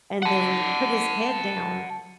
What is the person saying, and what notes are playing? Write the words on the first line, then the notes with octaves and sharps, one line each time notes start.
and then put his head down
F#5 A5